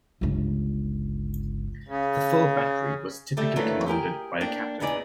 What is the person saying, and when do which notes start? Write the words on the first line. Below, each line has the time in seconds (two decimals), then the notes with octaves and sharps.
The full battery was typically commanded by a captain.
0.21 G1 C#2
1.88 C#3
3.37 G3 A3 G4
3.56 D#3 E3 F#3 A3 A#3 D4
3.86 G4 G#4 A#4 G5
4.41 A#3 D4 G5
4.80 E2 B3 D#4 G#4 D5